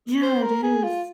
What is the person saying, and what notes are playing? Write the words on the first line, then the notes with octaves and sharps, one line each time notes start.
Yeah, it is.
C5
A#4
G#4
F4